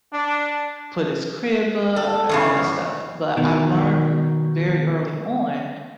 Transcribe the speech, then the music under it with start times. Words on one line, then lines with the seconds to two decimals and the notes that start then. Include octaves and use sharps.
put his crib up, and all that stuff, but I learned very early on,
0.13 D4
1.96 A4
2.29 E2 G2 C#3
3.37 B2 D#3